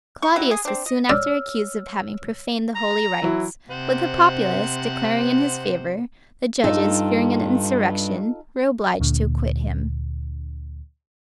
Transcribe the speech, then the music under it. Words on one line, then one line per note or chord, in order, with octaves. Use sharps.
Claudius was soon after accused of having profaned the holy rites; but the populace declaring in his favor, the judges, fearing an insurrection, were obliged to acquit him.
C#6
F#3 G3 E4
G#4
C4 D4
D#5
C#5 D5 E6 F6
A#5
E3 F#3 E4
C3 C5 F#5
G2 D#4 F4 A4
D2 A#2 D3